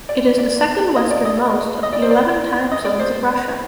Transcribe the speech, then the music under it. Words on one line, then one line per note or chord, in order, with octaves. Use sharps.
It is the second-westernmost of the eleven time zones of Russia.
D5
D5
D#5
D5
D#5
D#5
D5
C5
D5
D#5
D5
C5